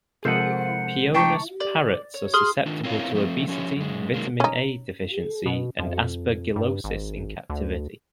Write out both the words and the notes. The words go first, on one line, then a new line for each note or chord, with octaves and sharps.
"Pionus" parrots are susceptible to obesity, vitamin A deficiency, and aspergillosis in captivity.
C3 F3 G#3 C4 A4 A#4 C5 F#5
A3 D4 G5 A5 A#5 C#6
D5
C#5
G#4 C6 D#6 F6
D#3 D4 F4
C4 E4 F4 A#4 C#5 F5
F3 A3 B3 C4
F3 C#4 G4 C#5
F#2 G#3
D#3 F#3 G#3 A#3
C#4 D#4
B2
F2
G2
G#1
D2